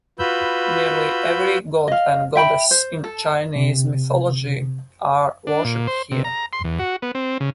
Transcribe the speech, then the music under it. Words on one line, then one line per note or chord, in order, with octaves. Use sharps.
Nearly every god and goddess in Chinese Mythology are worshipped here.
F4 F#4 B4 B5 E6 G6
D#5 F5
E5 G5 B5
C5
A4
C3
D4
A#2
C5
C3
A#5
C6
E2
F#4
B3
C4
C#3